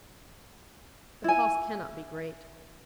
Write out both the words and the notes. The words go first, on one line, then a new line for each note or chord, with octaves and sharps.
The cost cannot be great.
E4 G#5